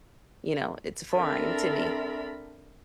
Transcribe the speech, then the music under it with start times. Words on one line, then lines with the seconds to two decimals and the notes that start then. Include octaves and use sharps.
you know it's foreign to me,
1.13 C4 D4 A4 A#4 E5 B5